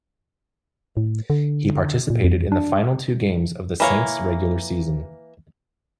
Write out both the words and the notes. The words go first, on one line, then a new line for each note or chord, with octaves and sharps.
He participated in the final two games of the Saints' regular season.
A2
D3
A#2
F2
D4
E3 A#3 C#5